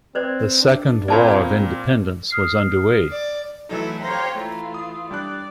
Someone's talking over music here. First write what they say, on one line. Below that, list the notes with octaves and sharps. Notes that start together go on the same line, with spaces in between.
The Second War of Independence was underway.
C4 B4 C5 D5
D4
A#2 A#3 C4 D5 A5 B5
D#6 F6 C7
D5
E3 F#3 A3 D#4 E4 A4 E5
G4 C5 C#5 F5 G5 A#5 A#6
E3 A3 F4
D#6
G3 D4 D5 F#6